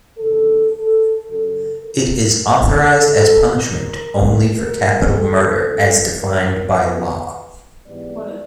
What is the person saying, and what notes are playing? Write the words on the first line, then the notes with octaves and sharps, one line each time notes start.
It is authorized as punishment only for capital murder, as defined by law.
E2 C3 D#3 A4
A4
F#2 C#3 F#3 A4
A#4
D#2 C#3 F3
A4
F2 C#3 E3 G3 A#4
A#2 F3 A3 A#4
A4
F2 C#3 F3 G#3 C#4
A#4
C#3 F#3 B3 B4
G#2 E3 G3 B3 D5